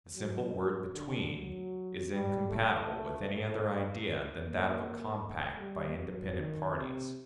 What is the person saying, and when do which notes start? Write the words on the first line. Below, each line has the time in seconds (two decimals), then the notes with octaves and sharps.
The simple word "between" is incompatible with any other idea than that of a compact by independent parties.
0.16 F#3
0.94 D3
1.32 F#3
2.10 G3
2.49 A3
3.26 A3
4.43 A#3
5.20 A3
5.59 G3
5.98 F#3
6.37 D#3
6.75 C3